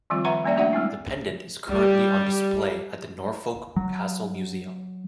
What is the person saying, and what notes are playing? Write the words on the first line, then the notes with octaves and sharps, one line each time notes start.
The pendant is currently on display at the Norfolk Castle Museum.
D#3 F3 G3 C4 F4
B4 E5 F#5 A#5 B5 C#6
G3 A#3 C#4 D5 E5 G5
A3 D4 F#4 D5 E5 F#5
G3 G#3 C4 E4
G3
F#3